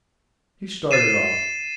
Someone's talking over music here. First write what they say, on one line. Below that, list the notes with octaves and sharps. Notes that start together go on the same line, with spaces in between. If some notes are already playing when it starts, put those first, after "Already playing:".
He started off.
A6 C7 D#7 E7